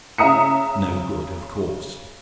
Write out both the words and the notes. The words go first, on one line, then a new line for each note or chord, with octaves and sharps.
No good, of course.
C#3 E5 A#5 D#6 C#7